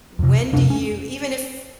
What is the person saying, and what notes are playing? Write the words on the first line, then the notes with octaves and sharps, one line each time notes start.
When do you even if
F2 C3
F2 C3 D4
C#4